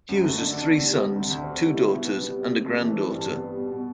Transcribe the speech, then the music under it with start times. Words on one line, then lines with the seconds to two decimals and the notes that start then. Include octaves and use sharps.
Hughes has three sons, two daughters, and a granddaughter.
0.09 F#2
0.23 A3
0.38 D3
0.53 D4
0.68 E2
0.83 G3
0.99 C3
1.14 D2
1.30 D2
1.44 C4
1.60 G3
1.75 E4
1.90 B2
2.04 B3
2.20 G3
2.36 C3
2.51 C3
2.65 A3
2.81 E3
2.95 C4
3.11 G2
3.27 B3
3.41 G3
3.57 B2
3.71 B2